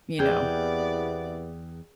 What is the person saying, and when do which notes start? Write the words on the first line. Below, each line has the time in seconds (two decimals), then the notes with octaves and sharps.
you know,
0.19 E2 C3 B3 E4 G#4 D5 G5